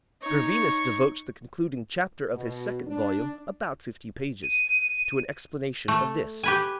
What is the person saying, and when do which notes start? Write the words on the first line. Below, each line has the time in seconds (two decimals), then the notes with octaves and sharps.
Gervinus devotes the concluding chapter of his second volume, about fifty pages, to an explanation of this.
0.23 D#4 C#5 C#6
2.35 B2
2.87 D4
4.43 D#7
5.88 A3
6.43 G4 B4 G#5